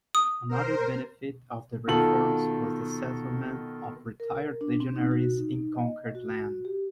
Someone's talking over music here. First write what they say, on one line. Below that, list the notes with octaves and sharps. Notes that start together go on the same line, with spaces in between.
Another benefit of the reforms was the settlement of retired legionaries in conquered land.
D#6
A#4 C5
B2 D#3 F4 A4 F#7
A#4
D4
C4
D#4
F#4
D#4
D#5
F#4
G4